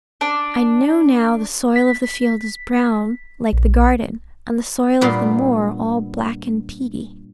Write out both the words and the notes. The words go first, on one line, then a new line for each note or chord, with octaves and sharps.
I know now the soil of the field is brown, like the garden; and the soil of the moor all black and peaty.
D4
B6
A#1
G2 A#2 B3 C6